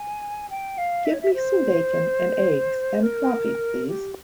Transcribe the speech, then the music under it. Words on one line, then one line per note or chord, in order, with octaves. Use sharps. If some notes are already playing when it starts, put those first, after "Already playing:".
Give me some bacon and eggs and coffee, please.
Already playing: G#5
G5
F5
E5
C#5
E5
C5
A#4
G4